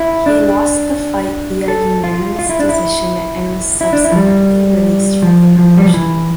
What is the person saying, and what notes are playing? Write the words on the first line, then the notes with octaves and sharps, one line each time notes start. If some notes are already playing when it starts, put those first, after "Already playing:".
He lost the fight via unanimous decision and was subsequently released from the promotion.
Already playing: E4
D4
A4
F4
F4
E4
D4
E4
E4
D4
E4
F3
G3
F3
F3
G3
F3
E3